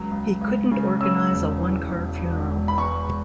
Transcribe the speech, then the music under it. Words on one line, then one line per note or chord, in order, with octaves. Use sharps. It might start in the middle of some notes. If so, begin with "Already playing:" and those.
He couldn't organize a one-car funeral.
Already playing: C#2 C#3 F#3
C#2
C#2
C#3
C#4 E6
E1
E3
E1
E1
E1
B5
E2 C#6